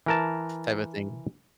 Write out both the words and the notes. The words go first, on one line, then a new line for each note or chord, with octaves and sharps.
type of thing.
E3 A#4 A5